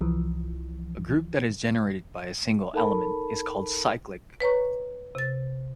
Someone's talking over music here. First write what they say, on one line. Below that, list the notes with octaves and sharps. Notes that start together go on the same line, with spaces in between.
A group that is generated by a single element is called cyclic.
C2 E3 F3
D#4 A4 A#4 A5 B5
B4 C#5 A#5 C#6
C3 A6